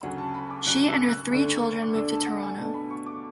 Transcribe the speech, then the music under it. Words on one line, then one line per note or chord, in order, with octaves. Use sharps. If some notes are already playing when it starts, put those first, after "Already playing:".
She and her three children moved to Toronto.
D2 C#3 F#3 C#4 F#5
A5
B5
D6
D2 C#3 F#3 C#4 F#6
E6
F#6
D2 D3 A3 D4
D6
D2 D3 A3 D4 E6
A5
F#5
G#5
B2 A3 D4 A5
B5
C#6
D6